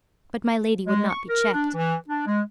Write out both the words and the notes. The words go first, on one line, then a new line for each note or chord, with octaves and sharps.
But my Lady would not be checked.
G#3
C#6
A#4
D4
E3
D4
G#3